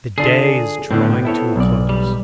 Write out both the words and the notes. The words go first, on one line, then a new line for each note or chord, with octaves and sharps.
The day is drawing to a close.
D3 D4 F4 G#4
A2 D3 B3 C4
E4 A4 C#5
B1 D5
G3